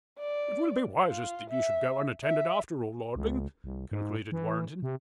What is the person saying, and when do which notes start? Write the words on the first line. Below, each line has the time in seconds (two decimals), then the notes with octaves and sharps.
"It will be wisest that you should go unattended, after all, lording," concluded Warrenton.
0.19 D5
1.07 F4
1.50 E5
2.23 E5
3.16 C#2
3.64 C2
3.92 G#2
4.32 E3
4.82 C3